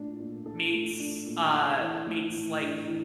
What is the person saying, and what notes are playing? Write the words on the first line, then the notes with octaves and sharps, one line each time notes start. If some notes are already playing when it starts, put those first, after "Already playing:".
meets, uh, meets, like,
Already playing: A#2 A3 D4 A4
A#2
A4
A3
D4
A#2
A4
E3
A3
A2
D4
E3